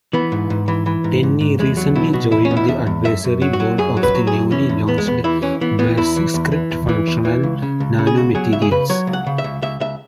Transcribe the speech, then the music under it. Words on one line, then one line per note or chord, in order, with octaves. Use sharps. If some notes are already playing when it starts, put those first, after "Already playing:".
Tenne recently joined the Advisory Board of the newly launched "Veruscript Functional Nanomaterials".
E3 B3
G#2
G#2
E3
E3
G#2
G#2
G#2
E2 G#3
F#3
B2 E4
B2 F#4
E2 E4
C#4
B2
E4
E2 E5
E2
F#2 E5
F#2
F#3
F#4
F#3
F#2 G#4
F#3
B4
F#3
G#4
F#2
E3 C#4
E2
E2 B3
G#3
E2 B3
E3 E4
E3 C#4
E3 B3
E3 B3
E2 E4
E3
E2
E3
E2
E3
E2
E3
C#2
C#3
C#2
C#3
G#4
C#2 F#4
F#3 G#4
C#2 E5
G#4
C#3 B4
F#3 C#5
C#2
F#5
C#3
E5
C#2
C#2 E5
C#2 E5